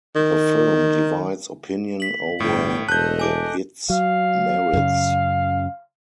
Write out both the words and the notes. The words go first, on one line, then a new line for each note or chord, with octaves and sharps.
The film divides opinion over the its merits.
D#3
B6 F#7
G1 A2 G5
E1 A3 D#5 A5 F#6 G6
G#5 D6 D7
F#3 F5
F#2 C#3